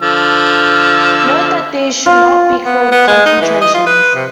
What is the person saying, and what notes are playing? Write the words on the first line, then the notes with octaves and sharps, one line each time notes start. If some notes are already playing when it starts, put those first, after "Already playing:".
Note that these should not be called concentrations.
D3 F3 E6
F4
B3
B3
G#3
D#4
E3
D#5
F4
B4
C3